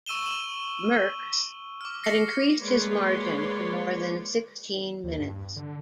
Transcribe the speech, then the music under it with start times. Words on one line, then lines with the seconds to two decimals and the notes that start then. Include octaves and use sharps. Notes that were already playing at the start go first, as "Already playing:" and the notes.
Merckx had increased his margin to more than sixteen minutes.
0.06 C#6 E6 D#7 E7 G7
0.26 E7 F#7
1.81 D6 F6
2.04 A#6 C7 C#7
2.60 G#3 A#3 B4 C#5 D5 C6
5.04 D#2
5.18 G2
5.56 D3